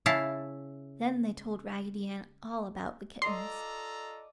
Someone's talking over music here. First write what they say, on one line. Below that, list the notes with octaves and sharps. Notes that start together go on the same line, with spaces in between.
Then they told Raggedy Ann all about the kittens.
C#3 E4 F5 A5
F4 A4 D5 D#5 A#5 C6